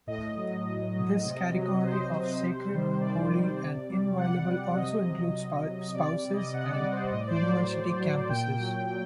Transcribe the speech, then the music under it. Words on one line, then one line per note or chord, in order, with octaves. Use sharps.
This category of sacred, holy, and inviolable also includes spouses and university campuses.
A2 D#5
F#3
A2
F#3
C3
F#3
C3 C5
F#3
C3
D#3 G3
C3 D5
D#3 G3
C3
G3
C3 F#5
G3
C3 D#5
F#3
C3
F#3
C3 D5
D5
G3
D#5
C3 F#5
D5
G3
C5
A2 D#5
D5
C5
D5
F#3
A2
F#3
A#2 G5
F#3
A#2